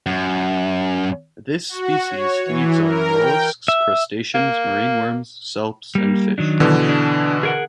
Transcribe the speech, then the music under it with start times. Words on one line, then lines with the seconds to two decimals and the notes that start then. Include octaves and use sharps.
This species feeds on molluscs, crustaceans, marine worms, salps, and fish.
0.06 F#2
1.69 F#4
2.09 C#5
2.46 E3
2.80 A#4
3.14 G5
3.68 E5
4.34 A#3
5.95 G3 A#3
6.38 D#3 F#3 D4
6.60 B2 D3 E3
6.89 D4
7.43 G#4 A#4 F#5